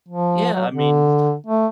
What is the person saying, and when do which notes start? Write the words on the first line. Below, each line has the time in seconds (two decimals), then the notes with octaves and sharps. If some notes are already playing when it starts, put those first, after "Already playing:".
Yeah, I mean,
0.08 F3
0.53 F#3
0.71 D3
1.47 A3